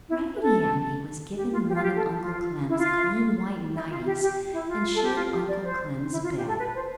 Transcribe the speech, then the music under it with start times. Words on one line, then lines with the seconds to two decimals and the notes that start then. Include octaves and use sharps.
Raggedy Andy was given one of Uncle Clem's clean white nighties and shared Uncle Clem's bed.
0.08 E4
0.33 B4
0.40 A4
1.35 G4
1.52 F4
1.67 G4
1.75 F4
1.83 G4
1.95 A4
2.19 F4
2.68 E4
2.78 F4
3.74 E4
3.89 F4
4.05 G4
4.21 G4
4.52 E4
4.69 F4
4.94 A4
5.05 G4
5.16 F4
5.32 G4
5.47 D5
5.64 C5
6.11 E4
6.24 F4
6.36 G4
6.47 A4
6.59 B4
6.75 C5